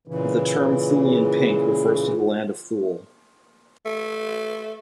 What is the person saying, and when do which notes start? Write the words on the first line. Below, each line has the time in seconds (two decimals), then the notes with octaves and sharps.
The term "Thulian pink" refers to the land of Thule.
0.08 A#2 C#3 E3
3.86 A3